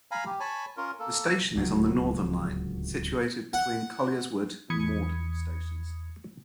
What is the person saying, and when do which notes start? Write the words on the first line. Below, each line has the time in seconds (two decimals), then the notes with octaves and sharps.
The station is on the Northern line, situated between Colliers Wood and Morden stations.
0.11 F5 G#5 A#5 B5
0.26 G4
0.40 C#5 G#5 A5 B5
0.77 C#4 F4 A#4
1.00 A#3 A4
1.56 D1 C#2 F#3
3.53 F#5
4.70 E2 B5 D#6 G#6 C#7